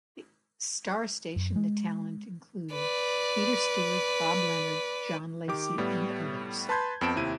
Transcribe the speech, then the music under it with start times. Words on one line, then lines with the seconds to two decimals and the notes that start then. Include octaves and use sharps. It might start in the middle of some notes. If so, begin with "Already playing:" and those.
On StarStation the talent included: Peter Stewart, Bob Leonard, John Lacy, and others.
1.36 F#2
1.56 G#3
2.73 B4 D5
5.48 D#3 G4 D6
5.78 A2 G3 B3
6.69 B4 A5 B5 C6 G6 G#6
7.01 F2 B3 C4 A5 D7 E7
7.16 D#2 C3 E4 D#7